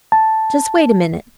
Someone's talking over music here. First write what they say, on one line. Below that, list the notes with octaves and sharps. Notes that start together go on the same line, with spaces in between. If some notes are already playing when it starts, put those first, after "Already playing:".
"Just wait a minute."
A5